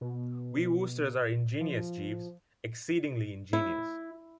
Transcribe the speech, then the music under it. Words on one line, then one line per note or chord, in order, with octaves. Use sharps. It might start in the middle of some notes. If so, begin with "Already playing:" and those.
We Woosters are ingenious, Jeeves, exceedingly ingenious.
B2
F3
E4